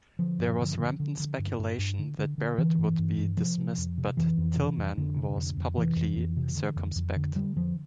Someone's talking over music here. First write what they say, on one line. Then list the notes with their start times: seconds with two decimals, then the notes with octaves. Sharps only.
There was rampant speculation that Barrett would be dismissed, but Tillman was publicly circumspect.
0.19 D3 F3
0.39 G2
0.60 D3
0.79 D3
1.00 D3
1.20 D3
1.39 G2
1.59 G2
1.78 G2
1.99 D3
2.19 D3
2.38 D3
2.58 D3 E3
2.78 G2
2.99 G2
3.18 G2
3.37 C3 F3
3.58 C3
3.78 F2
3.98 C3
4.17 F2 E3
4.38 F2
4.57 C3
4.77 F2
4.97 F2 D3
5.16 C3
5.36 F2
5.57 F2
5.77 C3 E3
5.96 F2
6.16 F2
6.37 C3
6.56 D3
6.76 F2
6.96 F2
7.16 D3
7.36 D3 G3
7.56 F2 F3